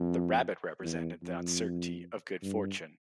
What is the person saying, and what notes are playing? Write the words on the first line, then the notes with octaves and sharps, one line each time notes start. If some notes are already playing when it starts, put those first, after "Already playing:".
The rabbit represented the uncertainty of good fortune.
Already playing: F2
E2
F2
G2